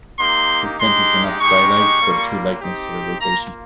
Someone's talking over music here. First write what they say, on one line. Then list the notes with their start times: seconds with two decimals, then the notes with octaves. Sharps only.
His paintings were not stylised but a true likeness to their location.
0.19 A#3 D#4 G4 C6
0.79 G#3 D#4 G4 C6
1.40 G#3 D#4 G4 C#6
2.00 G3 A#3 F4
2.60 C4 D#4 G4
3.20 A#3 F4 A#5